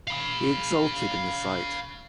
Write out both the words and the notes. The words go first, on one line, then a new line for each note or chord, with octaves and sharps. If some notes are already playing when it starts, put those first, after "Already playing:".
He exulted in the sight.
F5 B5